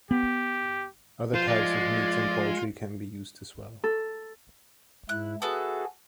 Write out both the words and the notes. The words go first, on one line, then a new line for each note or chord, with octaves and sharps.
Other types of meats and poultry can be used as well.
B3 G4
F3 F4 C5
G#3 D5
A4
G#2 E4 F#6
B3 F#4 G#4 A4 E5 A5